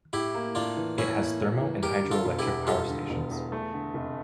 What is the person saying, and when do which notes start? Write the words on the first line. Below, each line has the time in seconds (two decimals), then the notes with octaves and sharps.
It has thermal and hydroelectric power stations.
0.13 A2 E4 G4
0.34 A#3
0.55 A2 D4 F4
0.77 E3
0.98 A2 C#4 E4
1.19 A#3
1.41 A2
1.61 E3
1.83 G3 G4 A#4
2.04 D3
2.11 F4 A4
2.25 E1
2.39 E4 G4
2.46 E2
2.67 G3 F4 A4
2.89 D3
3.10 E1
3.31 E2
3.52 A3
3.73 D3
3.94 F1